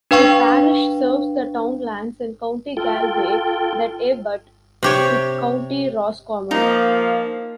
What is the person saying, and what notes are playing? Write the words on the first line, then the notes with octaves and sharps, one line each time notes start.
The parish serves the townlands in County Galway that abut with County Roscommon.
D4 B4 F5 G5 C#6
F4 A4 G5
C3 G4 C#5
F3 A#3 D#4 F5